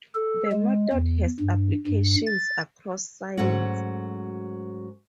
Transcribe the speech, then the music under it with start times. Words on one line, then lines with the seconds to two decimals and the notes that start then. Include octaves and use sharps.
The method has applications across science.
0.15 A4
0.52 G#3
0.92 E2
1.40 G2
1.88 G2
2.27 A6
3.38 G#2 F#3 A3 C#4 F#4